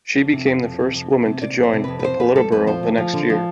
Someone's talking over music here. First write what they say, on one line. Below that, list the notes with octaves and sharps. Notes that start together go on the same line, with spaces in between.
She became the first woman to join the Politburo the next year.
F2
C3
F2
F2
C3
F2
F2
C3
C3 D5
F2
C5
C3
F2 B4
B4
F2 C5
F2 B4
G3 A4
F2 B4
F3 C5
D2
F3
D3
F3